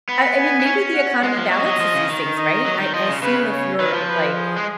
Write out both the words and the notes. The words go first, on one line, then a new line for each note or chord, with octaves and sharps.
I I mean, maybe the economy balances these things, right? I I assume if you're like
B3 B5
G#5
B3
C#4
F#5
G#3
F3
F#3 D#5
F#3
F3
C#3
D#3
D#5
F#3
D#3
F3 D#5
C#3
C#3 B4
C#5
D#3 B4
F3
B4
G#4
G#3